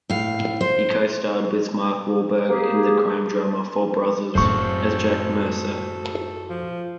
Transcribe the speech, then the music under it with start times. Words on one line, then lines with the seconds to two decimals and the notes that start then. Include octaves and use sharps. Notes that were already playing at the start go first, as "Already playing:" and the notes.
He co-starred with Mark Wahlberg in the crime drama "Four Brothers" as Jack Mercer.
0.10 A2 F5
0.61 C5
2.49 A#3 G4 G#4
4.35 F#2 A2 A3 F#4 G#4 A4 C5 C#6
6.49 F3